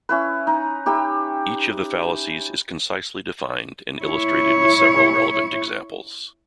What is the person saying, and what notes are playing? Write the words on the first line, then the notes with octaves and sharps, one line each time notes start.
Each of the fallacies is concisely defined and illustrated with several relevant examples.
C#4 E4 B4
D#4
D#4 G4 E5 B5
E4 C#5